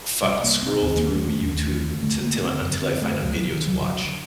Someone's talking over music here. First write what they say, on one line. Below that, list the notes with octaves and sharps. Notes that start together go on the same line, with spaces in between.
fu scroll through YouTube ti 'till until I find a video to watch?"
C2 C3 G3
A#3
C4
D#2 D3 C4
A#3
A3
A3
D#2 D3 A3
D2 D3 A3
A#3
C4
F#2 D3
C4
A3
D2 C3 F#3
F#3
D#3
F#3
F#2 D3 F#3